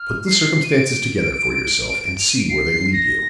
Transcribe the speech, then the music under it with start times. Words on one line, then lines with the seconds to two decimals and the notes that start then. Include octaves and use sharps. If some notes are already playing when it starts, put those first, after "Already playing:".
Put the circumstances together for yourself and see where they lead you.
Already playing: F6
0.26 C7
0.63 D#7
0.71 D7
2.19 F7
2.29 D#7
2.39 D7
2.49 C7
2.93 A#6